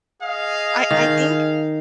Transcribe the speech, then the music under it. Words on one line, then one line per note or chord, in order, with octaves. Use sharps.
I I think
G#4 D#5 F5
D#3